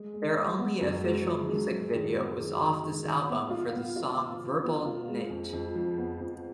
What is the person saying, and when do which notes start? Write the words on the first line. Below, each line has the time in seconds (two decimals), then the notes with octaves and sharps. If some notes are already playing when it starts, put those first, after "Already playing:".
Their only official music video was off this album for the song Verbal Kint.
Already playing: G#3
0.14 G#3
0.37 G#3
0.58 B3
0.81 F#2
1.03 G#3
1.26 F3
1.48 G#3
1.72 F#3
1.93 D#3
2.15 B3
2.38 D#3
2.61 D#3
2.83 D#3
3.05 D#3
3.29 B3
3.50 F4
3.73 B3
3.96 F4
4.18 B3
4.40 F3
4.63 B3
4.85 F4
5.08 G#3
5.30 F2
5.53 F2
5.75 F3
5.98 B3
6.20 F2